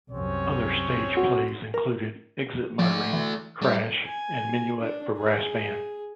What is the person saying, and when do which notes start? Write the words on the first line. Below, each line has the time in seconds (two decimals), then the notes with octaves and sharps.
Other stage plays included "Exit Muttering", "Crash", and "Minuet for Brass Band".
0.11 C2 F#2 C4 C#4 C#5
1.17 F#4
1.74 A#4
2.79 F3 A3 D5
3.13 E3
3.62 G3
4.06 G#5
4.80 D4
5.17 G#4